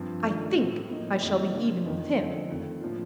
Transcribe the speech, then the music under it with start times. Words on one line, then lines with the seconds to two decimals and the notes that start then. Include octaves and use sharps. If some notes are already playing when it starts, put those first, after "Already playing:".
I think I shall be even with him.'
Already playing: G2 F3 C4
0.24 D#3 A3 D4 F4
0.57 A2 A3 C4
0.89 A2 F3 A#3 D#4
1.20 F2 D#3 A#3 D#4
1.53 C3 F3 A#3 D4 F4
1.85 F2 D#3 A#3 D#4
2.17 F2 D3 F3 C4 D#4
2.49 F2 D#3 A3
2.81 A2 F3 A#3 D4 F4